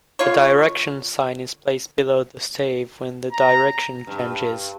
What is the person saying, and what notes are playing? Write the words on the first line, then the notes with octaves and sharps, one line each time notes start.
A direction sign is placed below the stave when the direction changes.
D3 F4 C#5
A#5
G2